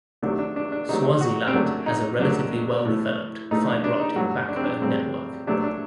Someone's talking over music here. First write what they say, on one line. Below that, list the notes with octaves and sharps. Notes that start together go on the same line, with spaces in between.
Swaziland has a relatively well-developed fibre optic backbone network.
C3 D#3 F#3 A3 D4
D4
D4
D4
C3 D#3 F#3 A3 D#4
F#4
C4
F#2 F#3 A3 D4
D#4
F#2 F#3 A3 D4
A2 A3
A2 A3 D#4
D4
D4
D#4
G2 F#3 A3 F#4
D4
C4
D4
G2 F#3 A3 C4
C3 F#3 A3 D4
D4